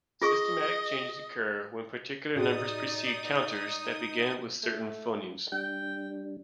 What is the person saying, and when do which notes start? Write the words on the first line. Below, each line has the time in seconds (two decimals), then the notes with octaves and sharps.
Systematic changes occur when particular numbers precede counters that begin with certain phonemes.
0.22 F4 G#4 D#5 C#6
2.36 A2 D#4 F#4 G#4 D5 D#6
4.63 A3
5.52 G3 D4 G5